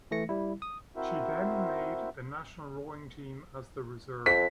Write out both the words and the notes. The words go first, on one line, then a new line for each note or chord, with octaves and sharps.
She then made the national rowing team as the reserve.
E3 A3 A#6 C#7
G3 E4
D#6
C4 E4 F#4 A#4 C5 E5
F2 B6